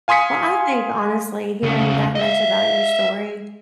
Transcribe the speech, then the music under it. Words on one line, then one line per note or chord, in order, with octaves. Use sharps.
Well, I think, honestly, hearing that much about your story,
F5 G#5 C6 D#6 B6 C#7
D2 C#3
D#5 E5